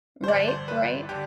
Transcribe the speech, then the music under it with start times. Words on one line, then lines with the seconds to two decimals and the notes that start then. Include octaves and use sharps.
Right, right.
0.24 C5
0.28 A1 G2 D3 D5
0.48 C5
0.68 B4
1.09 D3 G4